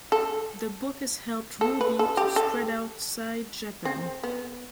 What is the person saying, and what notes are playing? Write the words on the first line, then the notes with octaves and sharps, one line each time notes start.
The book has helped Ruby to spread outside Japan.
A4
A4
B4
A4
G4
A4
C4
B3